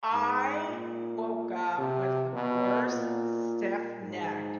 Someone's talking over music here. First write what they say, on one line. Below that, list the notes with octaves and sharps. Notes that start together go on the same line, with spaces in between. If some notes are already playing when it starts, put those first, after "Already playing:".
I woke up with the worst stiff neck
G#2
A#2
C3
B2
A#2
G#2